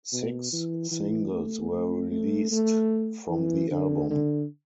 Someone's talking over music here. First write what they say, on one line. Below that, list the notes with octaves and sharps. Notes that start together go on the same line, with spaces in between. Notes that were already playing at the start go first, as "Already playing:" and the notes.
Six singles were released from the album.
B2
E3
E3
A3
A3
A3
A3
E3
D3
D3